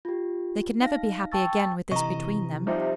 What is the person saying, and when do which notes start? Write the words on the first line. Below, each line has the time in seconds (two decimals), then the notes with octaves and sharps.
They could never be happy again with this between them.
0.05 F4 G4
0.81 D#4 F5 A#6
1.32 G5 A5 C#6 E6 A6
1.92 C3 E3 D#5 A#5 C#6
2.67 C3 F3 G3 D#4